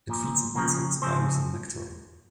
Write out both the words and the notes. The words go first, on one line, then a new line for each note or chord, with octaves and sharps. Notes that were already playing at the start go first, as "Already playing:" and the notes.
It feeds on insects, spiders and nectar.
A#2 F3
F2 C#3 F3 A#3 A#4
F2 C#3 F3 C4 C5